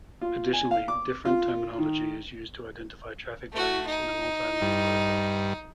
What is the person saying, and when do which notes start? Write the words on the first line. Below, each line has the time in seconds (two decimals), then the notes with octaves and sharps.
Additionally, different terminology is used to identify traffic lanes in a multi-lane roadway.
0.21 F4
0.53 G#5
0.71 F5
0.88 D6
1.25 F4
1.78 D#3
3.53 A3 F#4
3.86 D#4
4.62 G2